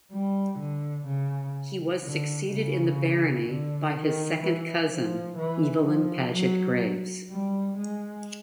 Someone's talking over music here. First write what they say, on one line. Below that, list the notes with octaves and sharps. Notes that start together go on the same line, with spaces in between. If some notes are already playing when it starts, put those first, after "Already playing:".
He was succeeded in the barony by his second cousin Evelyn Paget Graves.
G3
D3
C#3
D3
C#3
D3
D#3
E3
F3
E3
F3
F#3
G3
G#3